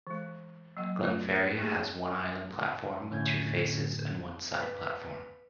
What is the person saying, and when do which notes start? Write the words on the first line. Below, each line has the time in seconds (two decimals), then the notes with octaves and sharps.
Glenferrie has one island platform with two faces and one side platform.
0.07 E3 G#3
0.77 F#3 A#3 D#5 F#5
1.04 A3 E4 F4 B4
1.57 A3 A#3 D#4 G4 G#4
3.10 A2 D3 C#4 G6 G#6
4.60 B4 B6